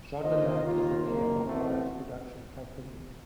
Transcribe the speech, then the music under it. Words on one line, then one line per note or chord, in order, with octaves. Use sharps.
ShondaLand is the name of Rhimes's production company.
D#3 A#3 F4 C5 D#5
D#2 D#3 A#3 F4
F#1 F2 D#3 A#3
A1 A2 A3 C4 F#4